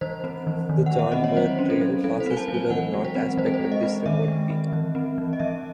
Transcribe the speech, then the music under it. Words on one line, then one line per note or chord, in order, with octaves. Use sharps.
The John Muir Trail passes below the north aspect of this remote peak.
E3 C5
C4
E3
D#3
G#3 F#5
E5
C4 D#5
C#5
F#3 C5
C#4
A4
F#3
F#3 A4
C5
C4 G#5
A5
F#3
G#5
E3 F#5
G#3
C5
C4
E3 C5
A4
C5
G#3
D#5
C4
D#3 E5
G#3
C4
E3
C4
E3
D#5
E3 E5